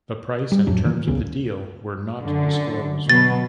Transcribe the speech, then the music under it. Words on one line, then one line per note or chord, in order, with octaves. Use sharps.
The price and terms of the deal were not disclosed.
G3
F2 A2 F#3 D4
D#3 E3 A#3
D#1 C#2 C#3 B3
F#2 D3
B2 F#3 B3 A6